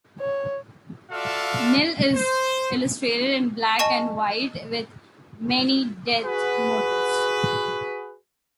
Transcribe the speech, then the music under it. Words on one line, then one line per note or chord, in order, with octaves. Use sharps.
"Nil" is illustrated in black and white with many death motifs.
C#5
F4 F#4 A4 D5 E5 F5
C5
D#5 G#5 A5 C#6 E7
F#4 G#4 B4